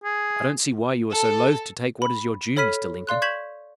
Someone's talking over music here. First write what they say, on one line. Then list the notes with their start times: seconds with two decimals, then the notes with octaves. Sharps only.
'I don't see why you are so loath to take what is your due, Mr. Lincoln.
0.04 G#4
1.11 A4
2.02 B5
2.56 A4 C#5 B5 F6 B6 D#7
3.07 D5 F5 C6 F#6
3.22 C#6 G6 G#6 B6 E7 F#7